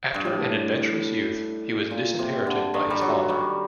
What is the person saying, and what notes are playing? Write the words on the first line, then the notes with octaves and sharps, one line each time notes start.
After an adventurous youth, he was disinherited by his father.
G2
A2
A#2
C3
D3
D#3
G3
F#3
G3